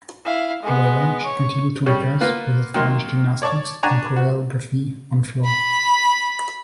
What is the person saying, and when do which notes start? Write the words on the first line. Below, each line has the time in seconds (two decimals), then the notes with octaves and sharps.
However, she continued to impress with her stylish gymnastics and choreography on floor.
0.24 E4 F5
0.63 G#3 B3
1.25 C#5
1.86 C#3 G3 C#4
2.21 A#3 B3 F4 B4
2.74 D#3 F#3 A#3 C6
3.42 C#5 D5 A5 C#6 D6
3.83 D4 F#5 G#5 A#5 C#6
4.16 F#4
5.45 B5